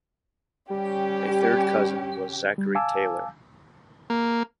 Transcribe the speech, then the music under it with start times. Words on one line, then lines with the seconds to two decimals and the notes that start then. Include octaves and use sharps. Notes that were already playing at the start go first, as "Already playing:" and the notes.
A third cousin was Zachary Taylor.
0.71 G3 C#4 G4
2.58 G3
2.75 F5 G#5 A5 D6 E6
4.10 A#3